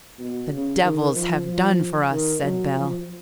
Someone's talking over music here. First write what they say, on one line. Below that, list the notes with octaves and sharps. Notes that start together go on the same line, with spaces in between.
"The devils have done for us!" said Bell.
B2
C#3
D#3
F3
F3
D#3
F#3
F3